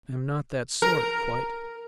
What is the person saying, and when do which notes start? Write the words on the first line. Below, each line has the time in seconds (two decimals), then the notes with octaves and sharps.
"I am not that sort--quite."
0.82 A#4